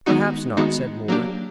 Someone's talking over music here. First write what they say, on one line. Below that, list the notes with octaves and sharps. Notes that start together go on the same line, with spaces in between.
"Perhaps not," said Moore.
D#3 G#3 B3 D#4 F#4
D#3 G#3 B3 D#4 F#4
F#3 A#3 D4 G4